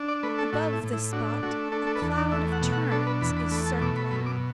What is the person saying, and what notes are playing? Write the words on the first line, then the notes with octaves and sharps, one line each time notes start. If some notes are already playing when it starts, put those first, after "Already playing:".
Above the spot a cloud of terns is circling.
Already playing: D4
D5
A3 B4
A4
A2 F#4
E4
A2
E4
D4 F#4
A3 F#4
D4 A4
A4
B4
E2 A4
D5
A3 E5
F#5
B2
F#5
D4 A4
B4
E2 B5
B5
A3 B5
A5
B2 D6
B5
F#2 B5
D6